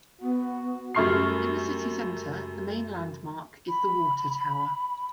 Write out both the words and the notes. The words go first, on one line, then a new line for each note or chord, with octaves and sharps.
In the city center, the main landmark is the water tower.
B3 F#4
F#2 G3 A3 C#6 F6 C7
B5